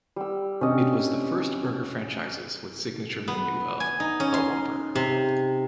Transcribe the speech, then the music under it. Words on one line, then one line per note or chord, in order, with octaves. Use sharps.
It was the first burger franchises with signature menu of The Whopper.
G3 E6
C3 C#4 D4 D#5
B3
G#5
D#4
C#4
C6
C3